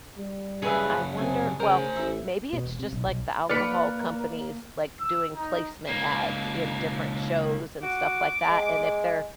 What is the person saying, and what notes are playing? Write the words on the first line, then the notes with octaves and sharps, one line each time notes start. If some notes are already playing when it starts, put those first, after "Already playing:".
I wonder well, maybe it's just like the alcohol companies, like, doing placement ads in different shows and stuff like that and if they're
G3
F#2 C#3 G#4 B4 E5
C3 G#5
C#3 A#4 C5 G#5
A1 E5
B2
E1
C3
B1
B1
A#3 B4 D5 F6 C#7
E6
D#4
C#2 A#3
F#4 D6
G#3